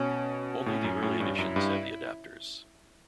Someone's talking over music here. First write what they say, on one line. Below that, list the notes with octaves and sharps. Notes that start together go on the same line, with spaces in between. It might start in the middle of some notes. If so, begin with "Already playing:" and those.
Only the early editions have the adapters.
Already playing: B2 C#4
A2 C#4
F#2
A2
G2
F#2 E4
G2